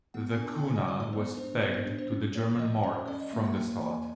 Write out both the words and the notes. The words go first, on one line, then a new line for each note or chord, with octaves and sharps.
The kuna was pegged to the German mark from the start.
B3 F#5
G#5
D4
A5
G5
D3 G#5
D#5
G3 D5
D5
B3 C5
D4 C5
B3 C5
C5
D4
C5
C#4
A#3 C#5
F3 D#5
C#4 C5
C#4 D5
D#5
A#3 E5
F#5
A#3 G5
A#3 G#5